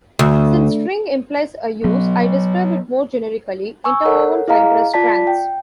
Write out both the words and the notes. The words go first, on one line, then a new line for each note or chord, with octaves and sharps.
Since "string" implies a use, I describe it more generically: interwoven fibrous strands.
D2
F#3 B3
G#5 C#6 E6
A4 A#4 C#5 F#5
E4 G#4 D#5 F5 A#5
F4 D5 A5 B6
G5